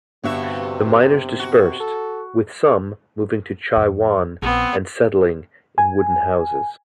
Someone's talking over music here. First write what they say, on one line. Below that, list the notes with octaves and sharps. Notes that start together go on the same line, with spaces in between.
The miners dispersed, with some moving to Chai Wan and settling in wooden houses.
G1 G2 C3 F#4 E5
F#4
A4
F2
A#1 B3 C4
G#5